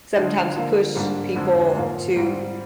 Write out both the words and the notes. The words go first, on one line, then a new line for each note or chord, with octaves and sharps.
sometimes push people to,
D3 G#3 D4 F4
D3 F3 A#3 F4
G#2 G3 A#3 D4
F2 D3 G#3
G#2 F3 A#3 F4
G#2 G3 C4 F4